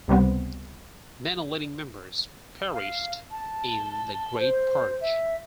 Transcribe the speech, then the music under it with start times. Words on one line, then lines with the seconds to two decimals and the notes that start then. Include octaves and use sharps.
Many leading members perished in the Great Purge.
0.08 C#2 C3 G3 B3 C4
2.74 F5
3.31 A5
4.38 C5
5.01 E5